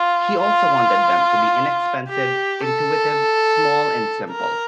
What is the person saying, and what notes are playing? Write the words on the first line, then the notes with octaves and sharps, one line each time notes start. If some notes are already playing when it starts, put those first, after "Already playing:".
He also wanted them to be inexpensive, intuitive, small, and simple.
Already playing: F4
F4
G4
A4
A#4